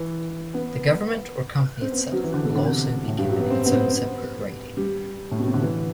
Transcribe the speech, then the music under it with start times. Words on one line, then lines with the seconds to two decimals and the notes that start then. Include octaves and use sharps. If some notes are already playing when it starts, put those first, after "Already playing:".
The government or company itself will also be given its own separate rating.
Already playing: E3
0.54 B3
1.81 C4
1.92 B3
2.13 F#3
2.24 E3
2.34 D3
2.45 B2
2.55 D3
2.66 C3
3.08 A2
3.18 G2
3.29 F#3
3.39 B3
3.50 C4
3.66 B3
3.72 C4
3.93 B3
4.77 G3
5.31 A2
5.39 B2
5.46 C3
5.54 D3
5.62 E3